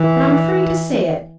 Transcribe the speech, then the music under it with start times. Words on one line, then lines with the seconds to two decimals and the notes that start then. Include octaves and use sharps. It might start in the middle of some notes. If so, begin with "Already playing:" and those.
But I'm afraid to say it.
Already playing: E3